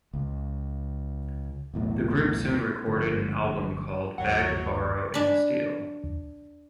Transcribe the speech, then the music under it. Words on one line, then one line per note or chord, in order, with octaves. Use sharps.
The group soon recorded an album called "Beg, Borrow and Steal".
C#2
B1 E2 A2
G1 D2 F3
G1 D#2 F#3 F#5
D4 B5